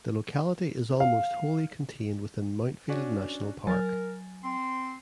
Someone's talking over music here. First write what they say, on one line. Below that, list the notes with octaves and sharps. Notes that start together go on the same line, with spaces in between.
The locality is almost wholly contained within Mount Field National Park.
F5
C#4 D4 F#4
F#3 A#4 G#5 A6
C4 C6